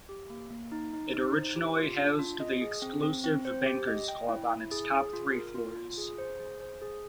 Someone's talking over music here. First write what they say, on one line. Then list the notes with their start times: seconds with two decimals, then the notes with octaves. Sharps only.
It originally housed the exclusive Bankers Club on its top three floors.
0.09 G4
0.30 A#3
0.51 A#3
0.72 D#4
0.93 D#4
1.14 D#4
1.34 C5
1.56 G4
1.77 F4
1.98 D4
2.19 F4
2.40 D#5
2.61 G#4
2.82 C4
3.03 C4
3.24 C4
3.45 C5
3.66 G4
3.87 D#5
4.08 G5
4.29 E4
4.50 E4
4.71 G#4
4.92 G#4
5.13 F4
5.34 A#4
5.55 F4
5.76 F4
5.98 G#4
6.18 C5
6.39 G#4
6.60 C5
6.82 G#4